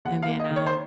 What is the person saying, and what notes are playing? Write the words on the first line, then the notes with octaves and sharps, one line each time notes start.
and then I'll,
D#2 F#5
F5
A#3
D#5
D#3
C#5
C5